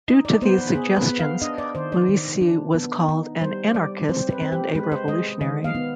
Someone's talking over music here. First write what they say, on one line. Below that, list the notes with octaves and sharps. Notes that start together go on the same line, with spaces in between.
Due to these suggestions, Luisi was called an anarchist and a revolutionary.
D#4 D#5
D5
B3 C5
B4
B3 G#4
B4
B3
F5
D4 D#5
D5
D#3 C5
D5
D#3
D4
B3
D#4
G3 C5
G3 D5
C4 C5
B4
C4
G4
G#3 B4
C5
G#3 D#5
D#3 D#5
F5
B3